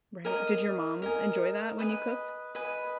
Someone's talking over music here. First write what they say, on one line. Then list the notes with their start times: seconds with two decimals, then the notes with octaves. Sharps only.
Right. Did your mom enjoy that when you cooked?
0.25 A#4 D#5 G#5
1.02 A#4 D#5 G#5
1.79 B4 D#5 G#5
2.55 B4 D#5 G#5